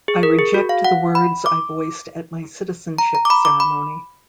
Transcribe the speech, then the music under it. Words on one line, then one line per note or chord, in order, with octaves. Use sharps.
I reject the words I voiced at my citizenship ceremony.
G#4
A#4
G#4
F#4
F5
F#5
B5
D6
A#5
A#5
D6
B5
D6
B5